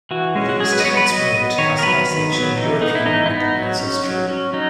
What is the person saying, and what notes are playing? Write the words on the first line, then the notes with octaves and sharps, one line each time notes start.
Least Heat-Moon has Osage and European-American ancestry.
E3 F#4
G#3 C#4
F#4
F#3 G#4
B4
D#5
B3 C#5
B4
F#3 D#5
B3 D#5
D#3 C#5
A#4
F#3 B3 B4
D#3
F#3 B3
E3 D#4
B3 D#4
E4
E3 D#4
E4
B3 D#4
F#3
C#4
F#3
C#4
F#3 D#4